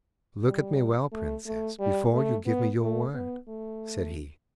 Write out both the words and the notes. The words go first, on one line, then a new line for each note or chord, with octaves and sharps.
"Look at me well, Princess, before you give me your word," said he.
G3
A3
A3
G3
A3
B3
A3
B3
A3